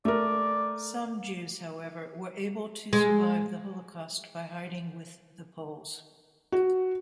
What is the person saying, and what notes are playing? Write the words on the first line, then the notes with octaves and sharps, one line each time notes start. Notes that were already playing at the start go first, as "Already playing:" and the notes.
Some Jews, however, were able to survive the Holocaust by hiding with the Poles.
A3 A#4 D5
G#3
F#4